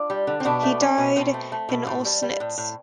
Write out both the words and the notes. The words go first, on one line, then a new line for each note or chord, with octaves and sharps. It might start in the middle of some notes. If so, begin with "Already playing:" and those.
He died in Oelsnitz.
Already playing: D4 F4
G3
D3
C4
B2 B3 D4
A3
A3 C4
B2
B2 C4
A3
A3
B2
A2
G3
G3
A2
A2